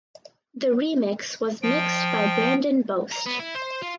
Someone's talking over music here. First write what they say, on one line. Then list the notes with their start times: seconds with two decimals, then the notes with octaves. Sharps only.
The remix was mixed by Brandon Bost.
1.62 F3 G5
3.12 A#5
3.26 B3
3.39 E4
3.55 C5
3.82 F4